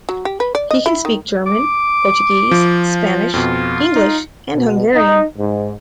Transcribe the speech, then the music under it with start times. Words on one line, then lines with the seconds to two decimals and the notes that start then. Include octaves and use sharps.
He can speak German, Portuguese, Spanish, English and Hungarian.
0.09 F#3
0.25 G4
0.40 B4
0.55 D5
0.71 D#5
0.86 E4
1.05 D#3
1.47 D6
2.51 F3
3.34 F2 B2 F4
3.96 D#4
4.54 B2
4.95 D#4
5.38 G#2